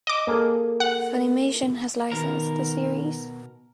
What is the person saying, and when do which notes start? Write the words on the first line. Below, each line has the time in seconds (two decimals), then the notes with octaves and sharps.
Funimation has licensed the series.
0.07 D#5 D6
0.27 A#3 G#4 A4
0.80 F#5
2.12 B2 D#3 A#4